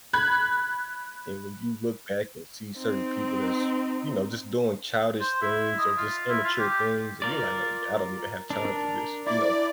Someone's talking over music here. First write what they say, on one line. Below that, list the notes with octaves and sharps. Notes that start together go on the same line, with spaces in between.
and when you look back and see certain people that's, you know, just doing childish things or just immature things and you're, like, "Oh I don't even have time for this, you know?
B5 F#6 G#6
C4 D#4
C5
E4
D#5
F4
E4
F4
G4
F4 A#4 D5
D4 A#4
E4 D5